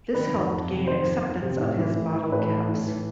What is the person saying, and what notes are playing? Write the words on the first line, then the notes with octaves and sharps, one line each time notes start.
This helped gain acceptance of his bottle caps.
D#3 B4
F2
F2
C3
D#3 C5
F2
F2
C3
A2
E3
A2
E3
A2 B4
E3
A2
E3